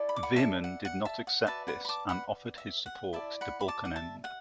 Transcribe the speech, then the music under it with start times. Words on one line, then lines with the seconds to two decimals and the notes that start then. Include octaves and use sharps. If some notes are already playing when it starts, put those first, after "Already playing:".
Veerman did not accept this and offered his support to Balkenende.
Already playing: E4 A4 D5
0.09 B5
0.16 D6
0.23 F#5 B5
0.36 E5 A5
0.64 F#5
0.85 F#5
1.05 E5 A5
1.27 F#5
1.47 F#4 B4 D5 E5 A5
1.68 F#5 B5
1.85 B5
1.89 A5 D6
2.09 F#5 B5
2.58 E5
2.86 F#5
3.13 E4 D5 E5 A5
3.41 F#5 B5
3.61 B5
3.68 A5 D6
3.85 F#5
3.96 E5 A5
4.24 F#5